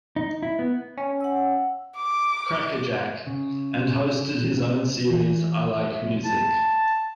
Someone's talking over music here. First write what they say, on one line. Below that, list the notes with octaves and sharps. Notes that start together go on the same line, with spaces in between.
"Crackerjack", and hosted his own series "I Like Music".
D#4
E4
B3
C#4
F#5 E6
D6
C#3
E3
E5
A5